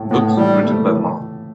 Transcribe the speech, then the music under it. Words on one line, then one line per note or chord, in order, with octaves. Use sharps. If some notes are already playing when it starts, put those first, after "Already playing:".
Books written by Ma.
Already playing: A2
A2 B3
E3 G3
A3
E3